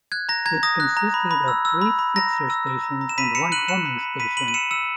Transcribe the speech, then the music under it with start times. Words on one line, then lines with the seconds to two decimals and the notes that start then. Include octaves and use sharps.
It consisted of three Fixer Stations and one Homing Station.
0.12 F#6 G#6
0.29 A#5 A#6
0.46 A#5 G#6
0.63 D#6 A#6
0.80 F#6
0.97 A#5
1.14 B5
1.31 B5
1.48 E6
1.65 E6
1.82 B5
1.99 B5
2.16 A#5 A#6
2.33 A#5
2.50 E6
2.67 E6
2.83 A#5
3.01 A#5
3.09 E7
3.18 B5 B6 D#7
3.35 B5 C#7 E7
3.52 F#6 D#7 F#7
3.68 F#6 C#7 E7
3.86 B5
4.03 B5
4.20 B5 B6 D#7
4.37 B5 D#7 F#7
4.48 D#7
4.54 E6 C#7 E7
4.71 E6 C#7 E7